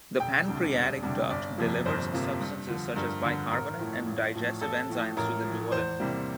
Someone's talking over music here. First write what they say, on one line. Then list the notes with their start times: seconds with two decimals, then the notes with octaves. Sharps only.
The pancreatic duct delivers substances such as bicarbonate and digestive enzymes to the duodenum.
0.20 E1 G5
0.48 D2 C3 G3 D4
0.75 E1
1.03 D2 C3 G3 D4
1.30 G1 D5
1.58 F2 C3 F3 A#3
1.85 G1 C5
2.13 F2 C3 F3 A#3
2.41 G2
2.68 D3 F3
2.96 G2 A#4
3.23 D3 F3
3.51 A1 A#4
3.78 A2 F3 A3
4.06 A1
4.34 A2 F3 A3
4.61 A1 A4
4.89 A2 F3
5.17 A1 A#4
5.44 A2 F3
5.72 E2 C5
6.00 C3 E3 G3 A#3